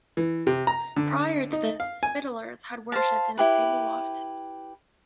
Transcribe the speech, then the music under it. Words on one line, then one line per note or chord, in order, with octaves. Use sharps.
Prior to this, "Spittlers" had worshipped in a stable loft.
E3
C3
A#5
D3
D#4
F5
G#5
C5 F5 A5
E4 G4 B4